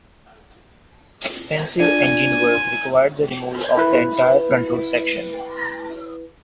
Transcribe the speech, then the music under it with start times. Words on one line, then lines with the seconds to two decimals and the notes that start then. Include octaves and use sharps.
Extensive engine work required the removal of the entire front hood section.
1.80 D4 F4 D5 G#5
3.77 E4 B4